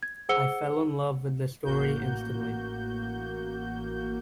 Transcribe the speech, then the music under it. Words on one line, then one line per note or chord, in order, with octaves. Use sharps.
I fell in love with the story instantly.
G#6
G#4 C5 F#5 E6 C#7 G7
A1 A#3 F#4 G6